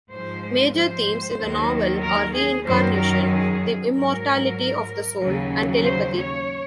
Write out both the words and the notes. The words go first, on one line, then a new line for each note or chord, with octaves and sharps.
Major themes in the novel are reincarnation, the immortality of the soul, and telepathy.
G#2 F3 G#3 C5
C5
D#2 D#3 F#3
A#4
G#4
F#2 D#3 F#3 C5
A#4
G#4
G#2 F#3 A#4
D#2 C#3 F#3
C5
C#5